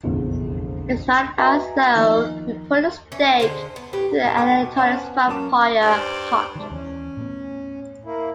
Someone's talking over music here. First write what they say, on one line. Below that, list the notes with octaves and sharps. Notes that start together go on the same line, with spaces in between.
It's not as though we put a stake through Anathallo's vampire heart.
F1 A#1 E2 D3
F#4 B4 D#5 E5 G#5 A#5
D#3 F3 A#3 D#5
E3 C#4
D3 G#3 C5
B3
A2 G4 B4
D#1 A#4 D#5 A5
A4 B4 G5 C6 D6
B2
C#4 C5 C#5 F5 F#5 A5
B3 G#5
F#2 A#3 C#4 A5 D6
G2 C5 D5
C3 D#3 E3 G#3 D4
D#2 E3 C#4
A2 B3
A#3 E4